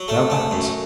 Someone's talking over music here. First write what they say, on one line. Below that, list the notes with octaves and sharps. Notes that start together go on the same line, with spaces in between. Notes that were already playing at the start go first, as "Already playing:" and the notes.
Thou bat!
Already playing: F#3
A3
A3
F#2